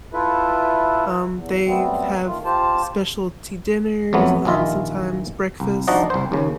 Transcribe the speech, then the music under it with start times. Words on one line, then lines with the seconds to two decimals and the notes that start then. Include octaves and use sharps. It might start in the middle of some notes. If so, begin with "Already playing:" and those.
Um, they have specialty dinners, um, sometimes breakfast
0.13 E4 F4 A4 B4 E5
1.32 E2
1.66 F#2 G3 A3 B3 C4
2.26 D#3 A3 F4
2.45 F4 G4 C5 A5
4.13 F2 F#3 A3 B3
4.45 A#1 D#2 E4 F4 D#5 E5
5.60 C2
5.88 F3 D4 D#4 F#4 D5 D#5
6.10 C2 C5
6.32 D#2 C#3